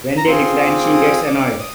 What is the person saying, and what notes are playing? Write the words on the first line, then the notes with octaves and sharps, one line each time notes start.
When they decline, she gets annoyed.
A#5
C4 F4 G#4 C6
D6
D6
D#6
D6
D#6